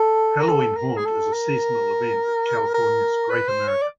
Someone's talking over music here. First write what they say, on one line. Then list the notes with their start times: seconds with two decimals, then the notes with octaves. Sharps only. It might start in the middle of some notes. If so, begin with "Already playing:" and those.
Halloween Haunt is a seasonal event at California's Great America.
Already playing: A4
0.40 A#4
0.48 A4
0.76 A#4
0.97 G#4
1.05 A4
1.33 A#4
2.74 A#4
3.30 B4
3.48 C5
3.68 C#5
3.82 D5